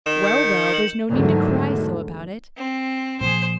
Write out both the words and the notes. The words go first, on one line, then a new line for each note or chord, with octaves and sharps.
"Well, well, there's no need to cry so about it."
D#3 E7
G6 C#7
C#7
F#7
E2 G#2 D3 D#3 F#3 A3
C4
A#2 F3 G#4 C5